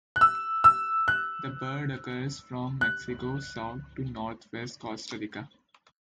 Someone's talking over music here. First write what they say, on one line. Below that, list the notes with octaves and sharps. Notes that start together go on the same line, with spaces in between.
The bird occurs from Mexico south to north-west Costa Rica.
F#6
E6
E6
F#6
F#6